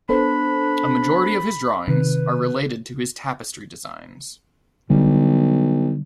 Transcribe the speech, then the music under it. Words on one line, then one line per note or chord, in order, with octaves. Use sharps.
A majority of his drawings are related to his tapestry designs.
B3 D4 A4 C5 B5
C3 D#3 B4
B1 D3 G3